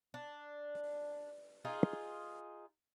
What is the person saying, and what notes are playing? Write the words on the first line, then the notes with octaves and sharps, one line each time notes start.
The "Edmonton Journal" noted Porritt had represented the Mackenzie District in the legislature.
D4
D#4 F4 G#4